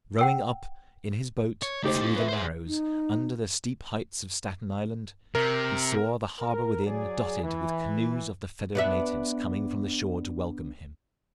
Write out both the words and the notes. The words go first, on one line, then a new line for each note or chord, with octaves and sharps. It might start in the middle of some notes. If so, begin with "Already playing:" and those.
Rowing up in his boat through the Narrows, under the steep heights of Staten Island, he saw the harbor within dotted with canoes of the feathered natives, coming from the shore to welcome him.
F#5 G5 E6
C#5
C#2 A3 D#4 G4 C5
F4 A4
B4 E5
G#4 C5
D#4
C3 A#4
A#4
F#3 G#4 D5
E3
B3 D4 E5